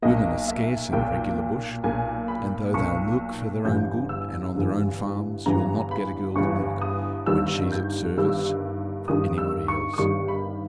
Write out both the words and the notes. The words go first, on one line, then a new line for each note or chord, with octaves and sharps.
Women are scarce in the regular bush, and though they'll milk for their own good and on their own farms, you'll not get a girl to milk, when she's at service, for anybody else.
B1 A#2 A#3 D#5
E5
B1 A#2 A#3 G5
B1 A#2 A#3 G#5
B5
B1 A#2 A#3 C#6
G1 G2 E3 G6
E6
G1 G2 E3
G1 G2 E3 A#5
B5
G1 G2 E3 C#6
D#6
G1 G2 D#3 G3 E6
G6
G1 G2 D#3 G3 E6
G1 G2 D#3 G3 D#6
E6
C#6
D#6
G1 G2 D#3 G3 C#6
B5